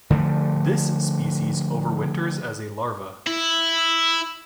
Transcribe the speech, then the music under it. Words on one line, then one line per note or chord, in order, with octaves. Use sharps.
This species overwinters as a larva.
D3 F3 A3
E4